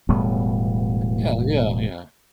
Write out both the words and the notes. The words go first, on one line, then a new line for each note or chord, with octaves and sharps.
Yeah, yeah, yeah.
E1 A2 G3 B3